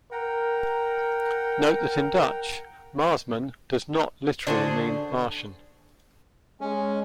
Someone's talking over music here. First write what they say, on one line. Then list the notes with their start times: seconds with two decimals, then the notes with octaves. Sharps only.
Note that in Dutch, "Marsman" does literally mean "Martian".
0.12 A#4 F#5 G5 A#5
4.47 D3 D4 F#4 G#4 A4 C5
6.61 G#3 C#4